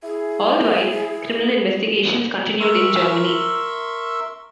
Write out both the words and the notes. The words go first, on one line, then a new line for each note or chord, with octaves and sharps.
All the while, criminal investigations continued in Germany.
E4 G#4
A#4 E5 C6 C#6 E6